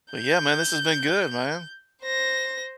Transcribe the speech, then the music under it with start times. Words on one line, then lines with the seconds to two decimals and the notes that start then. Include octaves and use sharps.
But, yeah, man, this has been good, man.
0.13 G6
2.02 C5 A#6